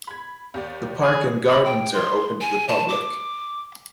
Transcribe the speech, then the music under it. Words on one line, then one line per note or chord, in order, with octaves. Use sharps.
The Park and Gardens are open to the public.
B5 G#6
D#2 G4 D5
G#4 G#5
B5
G5
C6
G#5
A5
D6